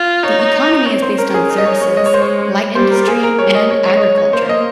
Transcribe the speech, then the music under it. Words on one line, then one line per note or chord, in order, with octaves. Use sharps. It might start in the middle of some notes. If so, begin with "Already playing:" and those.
The economy is based on services, light industry and agriculture.
Already playing: F4
D#4 C#5
C#5
C4 C#5
C5
C#4 A#4
A#4
G#4
D#4
D#5
C#5
G#3 C#5
D#5
C#5
C5
C#5
G3 C5
A#4
A#3 G#4
A#4
G3 C#5
D#5
G#3 C#5
C#5
D#5
C#5
C#5
A#3 C5
D#5